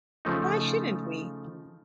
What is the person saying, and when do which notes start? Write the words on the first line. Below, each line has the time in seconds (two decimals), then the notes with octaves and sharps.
Why shouldn't we?
0.25 C#3 F3 A3 D#4